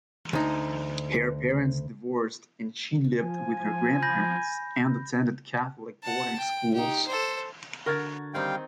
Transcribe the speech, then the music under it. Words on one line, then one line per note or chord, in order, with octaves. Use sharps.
Her parents divorced and she lived with her grandparents and attended Catholic boarding schools.
D2 D#4
F3 G#5
B5 G6 A#6
F#5 A5
G5
D#4 G4
A4 C5
D3 F#4 A#4 G#6 A6
D#3 G3 C4 D#4 F5 G5